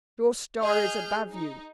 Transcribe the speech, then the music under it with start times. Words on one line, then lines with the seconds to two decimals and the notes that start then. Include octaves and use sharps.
Your star is above you.
0.63 G#4 D#5 F6 G6
1.32 D#4